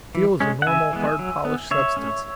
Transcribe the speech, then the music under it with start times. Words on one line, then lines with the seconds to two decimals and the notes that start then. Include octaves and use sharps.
Steel is a normal, hard, polished substance.
0.15 E3
0.40 G#3 C#4
0.62 F#5
0.66 C#3 E5 G#5
0.93 E3 G#3 B3
1.19 F#3
1.45 B3
1.71 D3 C#5 E5
1.97 A3 C#4